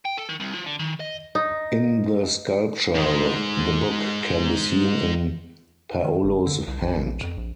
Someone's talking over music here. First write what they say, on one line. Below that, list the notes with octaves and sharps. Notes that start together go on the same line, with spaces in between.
In the sculpture, the book can be seen in Paolo's hand.
G5
A4
D#3
C2
F3
D3
D#3
D#5
D#4
G#2 G#3
D#3
F#1
D3
C2
A#1
A#1
F2
A#1